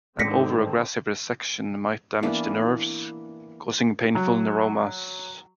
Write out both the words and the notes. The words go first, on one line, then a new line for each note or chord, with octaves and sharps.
An over-aggressive resection might damage the nerves, causing painful neuromas.
G#2 D3 D#3 C4 A#6 B6 C#7
E3 A#3 B3 D4
F#3